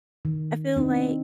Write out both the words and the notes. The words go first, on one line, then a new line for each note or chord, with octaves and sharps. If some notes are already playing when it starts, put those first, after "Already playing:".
I feel like
D#3
C4 D4 D#4